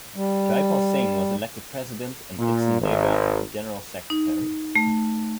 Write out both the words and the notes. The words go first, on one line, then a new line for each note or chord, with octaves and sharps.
Jaipal Singh was elected president and Idsen Deba general secretary.
G3
A#2
G#1
D#4
A3